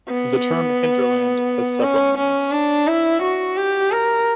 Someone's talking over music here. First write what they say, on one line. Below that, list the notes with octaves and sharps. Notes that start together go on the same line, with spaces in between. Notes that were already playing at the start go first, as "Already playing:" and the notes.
The term "hinterland" has several meanings.
B3
C#4
C#4
D4
E4
F#4
G4
A#4